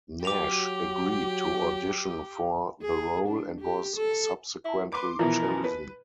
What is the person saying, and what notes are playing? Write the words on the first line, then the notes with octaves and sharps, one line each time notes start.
Nash agreed to audition for the role, and was subsequently chosen.
F#3 F#4 G4 D6 F7
G#4
D4
G4
A4
E4
B4 C6 D6
B2 E3 F3 A#4
B4